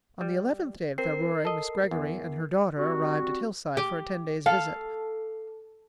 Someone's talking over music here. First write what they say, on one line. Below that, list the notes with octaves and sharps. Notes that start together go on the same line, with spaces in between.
On the eleventh day of February Mrs. Greggory and her daughter arrived at Hillside for a ten-days' visit.
G3
C4 A#4 C7
A4 D#5
E2
G3 C4 F#4
G4
A4 F5